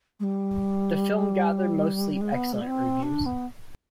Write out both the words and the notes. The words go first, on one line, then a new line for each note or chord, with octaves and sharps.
The film gathered mostly excellent reviews.
G#3
G3
G#3
B3
G#3
B3
C4
D4
B3